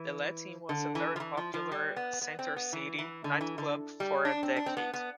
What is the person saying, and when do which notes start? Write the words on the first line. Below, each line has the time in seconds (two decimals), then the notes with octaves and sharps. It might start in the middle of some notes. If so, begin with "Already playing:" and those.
The Latin was a very popular Center City nightclub for a decade.
Already playing: E3
0.69 D3
0.95 E3
1.16 F3
1.20 E3
1.37 F3
1.54 F3
1.72 G3
1.96 B3
2.21 B3
2.39 C4
2.56 B3
2.73 E3
2.99 E3
3.24 D3
3.41 E3
3.58 D3
4.00 G3
4.25 D4
4.43 C4
4.56 D4
4.66 C4
4.77 B3
4.93 B3